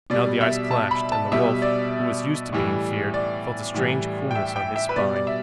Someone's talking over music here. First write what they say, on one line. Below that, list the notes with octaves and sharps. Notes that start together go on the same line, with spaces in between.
Now the eyes clashed, and the Wolf, who was used to being feared, felt a strange coolness on his spine.
B2 G3 D5
E5
A5
B5
A5
B2 G3 E5
D5
A2 E3 G3
D5
A2 E3 G3
G5
E5
G5
E5
B4
B2 G3 D5
D5
E5